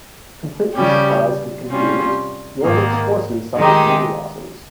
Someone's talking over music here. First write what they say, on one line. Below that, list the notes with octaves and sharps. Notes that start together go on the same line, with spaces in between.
Completely surprised and confused Warwick's forces suffered many losses.
C#3 G3 C#4 G4
C3 G3 C#4 F4
G#2 D#3 A#3
D#3 G#3 D#4 G4